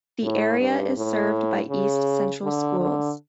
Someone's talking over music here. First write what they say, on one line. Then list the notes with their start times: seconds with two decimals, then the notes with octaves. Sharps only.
The area is served by East Central Schools.
0.23 A2
0.59 G2
0.97 A2
1.69 C#3
2.43 D3
2.79 D3